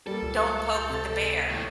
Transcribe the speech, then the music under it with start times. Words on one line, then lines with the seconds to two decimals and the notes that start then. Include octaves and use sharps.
don't poke the bear
0.07 G3 A#3 A4
0.22 C#2 A#2
0.72 G6 A6
0.90 C3 A6
1.50 D#2 A2